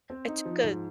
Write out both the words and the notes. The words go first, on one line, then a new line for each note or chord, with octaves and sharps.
I took a
C4
D#4
F3
G#2